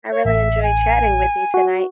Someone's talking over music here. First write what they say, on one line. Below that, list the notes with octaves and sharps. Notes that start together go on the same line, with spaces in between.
I really enjoyed chatting with you tonight.
C#5
A1 E5
G#5
F#4